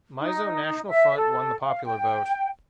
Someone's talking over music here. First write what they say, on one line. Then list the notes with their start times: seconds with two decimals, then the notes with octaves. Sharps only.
Mizo National Front won the popular vote.
0.21 D#4
0.88 E5
1.16 A4
1.65 F5
1.84 G5